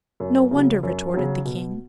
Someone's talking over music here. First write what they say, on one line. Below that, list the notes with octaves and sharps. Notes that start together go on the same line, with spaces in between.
"No wonder!" retorted the king.
F#2
C#3 F#3
F#2
C#3 F#3
B2